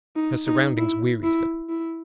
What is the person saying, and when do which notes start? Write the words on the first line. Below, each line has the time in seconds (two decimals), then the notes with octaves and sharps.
Her surroundings wearied her.
0.16 D#4
0.47 D#4
0.78 E4
1.23 E4
1.69 E4